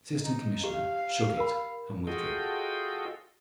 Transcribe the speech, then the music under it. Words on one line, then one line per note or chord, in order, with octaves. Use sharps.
The Assistant Commissioner shook it, and withdrew.
D#4
G4 F5
A#4 B5
F4 F#4 G#4 A4 D#5 G5